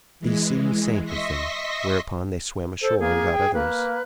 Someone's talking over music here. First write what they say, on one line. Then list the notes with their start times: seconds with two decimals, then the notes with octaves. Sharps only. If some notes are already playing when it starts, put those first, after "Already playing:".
These soon sank with them; whereupon they swam ashore and got others.
0.20 E3 G#3
1.04 D#5 E5 C6 C#6 A#6 B6
2.82 A4 C5
3.00 A#3 G#4
3.32 G5
3.54 A#3 B4